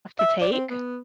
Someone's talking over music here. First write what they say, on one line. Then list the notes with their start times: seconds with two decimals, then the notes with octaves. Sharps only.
to take.
0.19 E5
0.41 D5
0.53 C4
0.70 B3